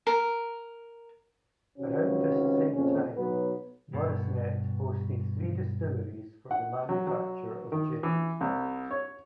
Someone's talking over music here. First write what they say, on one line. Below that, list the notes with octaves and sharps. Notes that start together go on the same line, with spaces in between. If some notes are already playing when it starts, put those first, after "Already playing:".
Around this same time, Moresnet boasted three distilleries for the manufacture of gin.
A#4
G#1 C#2 C3 C4 C#4 F#4
F2 A#2 C#3 C#4
B1 F#3 B3
G2 B2
F#5
F#3
F#3
D#3
E3
C2
C#5